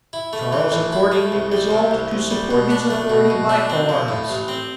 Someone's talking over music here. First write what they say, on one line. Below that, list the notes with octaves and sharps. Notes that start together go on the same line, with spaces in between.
Charles accordingly resolved to support his authority by arms.
E4
A3
E3
A2
E4
A3
C2
G3
C3
C2
C2
G3
B2
D4
A3
B2
B2
D4
C4
F3
A2
A1
C4